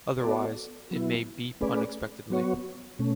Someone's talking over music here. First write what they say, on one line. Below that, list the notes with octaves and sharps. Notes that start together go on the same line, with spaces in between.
Otherwise, it may beep unexpectedly.
B3 F#4 A4 D5
F#3 B3 E4
A3 C#4 G#4 B4 D5
F#3 B3 F#4 C#5
B2 A3 C#4